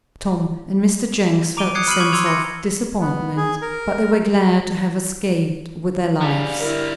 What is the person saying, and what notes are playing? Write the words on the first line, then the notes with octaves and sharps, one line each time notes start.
Tom and Mr. Jenks felt a sense of disappointment, but they were glad to have escaped with their lives.
A#5 D6 D7 D#7 G7
D#6 F#6 G#6 C7 C#7
B5 F6 G#6 C7 D#7 F#7
C#6 D6 G#6
C6 D6 E6 G#6 F7
C6 A#6 C#7
B3
G#4
A#4
D3 G3 G#4 F5
E4 A#4 E5